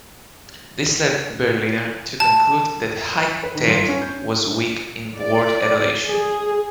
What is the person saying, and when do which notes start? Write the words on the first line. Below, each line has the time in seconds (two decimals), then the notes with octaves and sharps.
This led Berliner to conclude that HiTech was weak in board evaluation.
2.20 A5
3.43 B4
3.55 D#3
3.68 G1
3.88 C#4
4.02 G6
5.19 D5
6.05 G#4